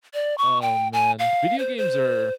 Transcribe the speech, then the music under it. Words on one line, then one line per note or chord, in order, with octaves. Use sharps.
Oh, man. Video games are
D5
C#6
G5
G#5
F5
C5
C5